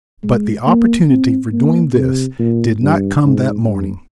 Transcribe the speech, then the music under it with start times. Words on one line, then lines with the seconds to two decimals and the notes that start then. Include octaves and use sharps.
But the opportunity for doing this did not come that morning.
0.24 G#3
0.67 A#3
1.09 C4
1.52 A#3
1.95 C3
2.39 A#2
2.82 G2
3.25 G#2
3.67 G2